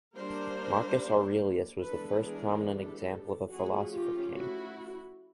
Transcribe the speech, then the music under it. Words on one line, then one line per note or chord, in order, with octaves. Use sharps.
Marcus Aurelius was the first prominent example of a philosopher king.
G3 A#3 D4 A#4 C5
E3 G#3 B3 D4 A4 B4
G#4 A#4
G4 A4
F3 A3 C#4 F#4 G#4
F4 G4
E4 F#4